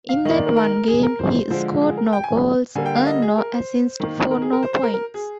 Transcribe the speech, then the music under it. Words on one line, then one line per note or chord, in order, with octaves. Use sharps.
In that one game he scored no goals, earned no assists for no points.
F5
D#3 A#3 D#5
D5
A#4
A#4
G#4
A#4
C5
D3 F3 G#3 C5
G#4
A#4
G5
G#5
D3 G3 A#3 G#5
G5
F5
D#5
G#4
A#4
C5
D#3 A#3
A#4
G#4
A#4
C5
C5
A#4
A#4
G#4